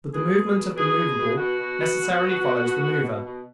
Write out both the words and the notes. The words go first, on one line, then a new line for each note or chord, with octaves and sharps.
But the movement of the movable necessarily follows the mover.
B2 G#4
B2
B2
B2 G#4
B2
B2
B2 F#4
B2
B2
B2
B2
B2
B2
B2
B2
B2